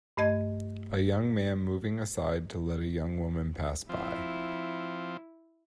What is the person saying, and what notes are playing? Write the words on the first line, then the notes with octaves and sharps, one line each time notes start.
A young man moving aside to let a young woman pass by.
G2 A3 D#5 G#6
F3 C4 E4